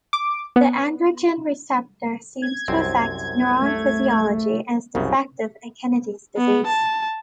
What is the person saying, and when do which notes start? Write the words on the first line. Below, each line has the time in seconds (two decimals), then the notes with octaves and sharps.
The androgen receptor seems to affect neuron physiology and is defective in Kennedy's disease.
0.13 D6
0.56 B3
2.42 G#6
2.68 C2 F#2 C4
3.62 A3
4.95 C2 F#2 C#3
6.37 B3
6.67 A5